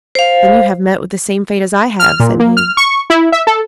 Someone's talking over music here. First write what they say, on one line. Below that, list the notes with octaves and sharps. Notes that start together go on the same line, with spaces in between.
'Then you have met with the same fate as I have,' said he.
C5 F5
F6
A#2
A#3
F6
C#6
E4
E5
A4